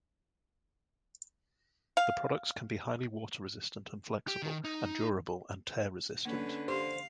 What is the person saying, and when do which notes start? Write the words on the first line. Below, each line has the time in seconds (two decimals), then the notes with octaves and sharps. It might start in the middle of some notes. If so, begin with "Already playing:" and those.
The products can be highly water resistant and flexible and durable and tear resistant.
1.97 F5
4.28 G4
4.42 D#3
4.64 D#4
6.25 D3 A#3 C#4 B4
6.68 G4 C5 F5